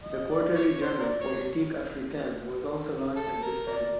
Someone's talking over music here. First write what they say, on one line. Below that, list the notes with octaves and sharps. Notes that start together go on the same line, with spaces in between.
The quarterly journal Politique africaine was also launched at this time.
D#5
D5
C#5
C5
A#4 D5
C#5
A4
A#4
A#4 D5